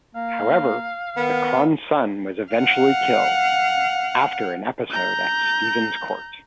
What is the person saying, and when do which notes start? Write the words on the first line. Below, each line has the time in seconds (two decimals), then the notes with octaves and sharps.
However, the Khan's son was eventually killed, after an episode at Stephens's court.
0.15 A#3 F5
1.16 D#3 B3
2.52 F5 F#5
4.91 A#5 G6